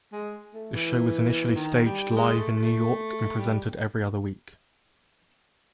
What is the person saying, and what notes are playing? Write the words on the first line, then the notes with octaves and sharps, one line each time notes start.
The show was initially staged live in New York and presented every other week.
G#3
A3
E3
D#3
G3
G3
G#3
A3
A3
G3